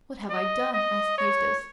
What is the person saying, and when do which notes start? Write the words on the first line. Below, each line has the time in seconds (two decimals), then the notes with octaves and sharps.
"What have I done?" asked Eustace.
0.30 D#5
0.74 D#5
1.18 C#5